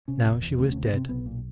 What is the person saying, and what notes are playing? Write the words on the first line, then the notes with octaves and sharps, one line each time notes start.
Now she was dead.
C3 C#4
F1
E2
D2 C4
C#4
C3
B3
C3 C4
B1 B3
A#2